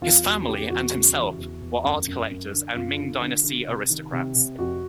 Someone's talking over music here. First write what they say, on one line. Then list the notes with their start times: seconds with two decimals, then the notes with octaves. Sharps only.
His family, and himself, were art collectors and Ming dynasty aristocrats.
0.01 E2 F4
0.25 E2 F#4
0.47 C#3 G4
0.70 E2 F#4
0.92 C#3
1.16 E3
1.38 E2
1.62 E2
1.84 F#2
2.07 F#2
2.31 F#2
2.53 D3
2.76 F#2 F4
2.99 D3
3.21 D3
3.44 D3
3.68 C3
3.90 D#3
4.12 C3
4.35 C3
4.59 F2 F#4